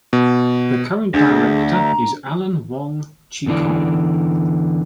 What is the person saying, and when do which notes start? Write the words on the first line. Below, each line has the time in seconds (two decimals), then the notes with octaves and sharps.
The current director is Alan Wong Chi-kong.
0.13 B2
1.14 D2 D4 G#4
1.72 A#5
3.46 E2 A2 D3 E3 D5